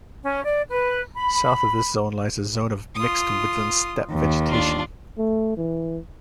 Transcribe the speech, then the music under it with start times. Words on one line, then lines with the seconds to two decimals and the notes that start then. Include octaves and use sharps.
South of this zone lies a zone of mixed woodland-steppe vegetation.
0.24 C#4
0.44 D5
0.69 B4
1.15 B5
2.95 F4 D#6
4.12 D#2
4.48 D4 F4
5.18 A3
5.57 E3